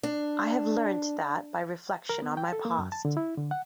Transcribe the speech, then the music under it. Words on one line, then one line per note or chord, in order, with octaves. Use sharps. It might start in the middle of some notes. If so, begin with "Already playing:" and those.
I have learnt that by reflection on my past.
D4
A#4
B3
G5
A4
A#3
F#2
A5
D3
E4
D3
F#5